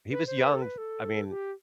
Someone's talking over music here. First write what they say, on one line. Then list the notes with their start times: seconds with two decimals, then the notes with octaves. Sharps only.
He was young, I mea
0.11 B4
0.27 C5
0.38 B4
0.50 A4
0.62 B4
0.78 A4
1.30 G4